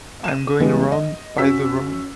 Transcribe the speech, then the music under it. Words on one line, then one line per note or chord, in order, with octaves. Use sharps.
I’m going round by the road.
D#7 E7
C#3 E3 G3 G#3 B3
D#5
F#2 C#4 F#4 E6 B6